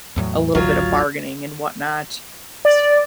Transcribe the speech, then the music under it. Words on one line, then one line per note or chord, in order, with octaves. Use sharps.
a little bit of bargaining and whatnot.
E2 A2 F#3
G#1 D2 F#3 F4
D5